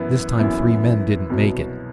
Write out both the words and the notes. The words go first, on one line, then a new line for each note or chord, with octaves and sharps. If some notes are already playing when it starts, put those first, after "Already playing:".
This time three men didn't make it.
Already playing: F#2 E3 B3 E4
F#2 E3 B3 E4
C2 B2 F#3